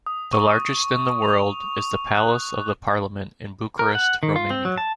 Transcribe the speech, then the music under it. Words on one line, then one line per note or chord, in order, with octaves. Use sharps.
The largest in the world is the Palace of the Parliament in Bucharest, Romania.
D#6
C#6
F7
F#6
A#4
F#5
D#3
F4
C4
F#3
A5